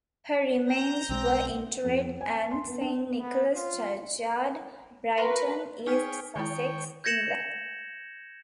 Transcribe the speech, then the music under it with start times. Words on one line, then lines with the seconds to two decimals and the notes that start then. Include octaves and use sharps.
Her remains were interred at Saint Nicholas' churchyard, Brighton, East Sussex, England.
0.68 A#5 G6 A#6
1.09 B1 E3 G#3 C4
1.84 F2
2.21 G#5
2.51 C6
2.68 B3
2.81 D4
3.20 B3
3.55 F4
5.17 F#4 A#4 B4 C6
5.87 D#4 G#4 C#5 G5 F6 B6
6.36 D#3 G#3 E4 C#5 G5
7.04 G6 G#6 A#6 C#7 E7 F#7